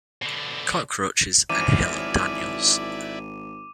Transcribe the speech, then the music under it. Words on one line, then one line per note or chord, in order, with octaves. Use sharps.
Cockroaches and Helen Daniels.
B2 D3
G#1 F#2 E3 F3 E4 D5 D6 D#7